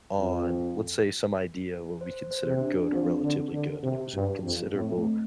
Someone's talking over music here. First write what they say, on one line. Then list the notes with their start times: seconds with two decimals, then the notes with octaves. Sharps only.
on, let's say, some idea of what we consider good or relatively good, and it was a considerable
0.19 F2
2.01 C5
2.31 C5
2.46 C3
2.61 D4
2.83 D4
2.92 F3 C4
3.22 D3
3.53 D3
3.83 C3
4.14 G2
4.44 F2
4.74 A2 C4
4.98 A3